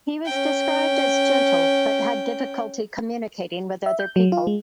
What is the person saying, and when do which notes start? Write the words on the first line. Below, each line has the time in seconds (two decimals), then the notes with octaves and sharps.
He was described as gentle but had difficulty communicating with other people.
0.26 C#4 G5
3.86 E5
4.00 G6
4.16 F#3
4.32 F4
4.47 G#3